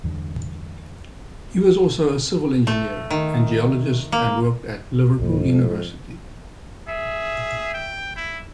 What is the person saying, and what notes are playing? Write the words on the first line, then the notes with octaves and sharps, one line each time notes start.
He was also a civil engineer, and geologist and worked at Liverpool University.
E2 G2 D3
A3
D#3
A#3
C2 F2 G#2 A#3
G#3
G#4 E5
G5
E4